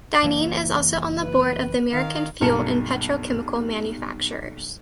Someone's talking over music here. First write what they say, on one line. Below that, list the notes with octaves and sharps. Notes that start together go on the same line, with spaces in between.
Dineen is also on the board of the American Fuel and Petrochemical Manufacturers.
F#1 E3 A#3
B4
D#3 F5
B1 G2 A#3 A#4 A5 C#7